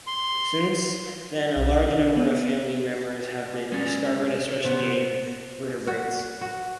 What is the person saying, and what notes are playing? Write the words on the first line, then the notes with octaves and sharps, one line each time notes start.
Since then a large number of family members have been discovered, especially in vertebrates.
C6
B1
D4
B3
G#3 C#4 D5
C3 B3 C5
F#4
F#4